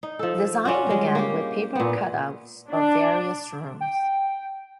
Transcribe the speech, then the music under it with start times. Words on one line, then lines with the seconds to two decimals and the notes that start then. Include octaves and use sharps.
Design began with paper cut outs of various rooms.
0.03 D#4
0.19 F3 A4
0.65 C#4 D4 F4 F#4
0.87 G3 G#3
1.15 A#3 G4
1.75 A#2 B3
2.70 D4
3.81 G5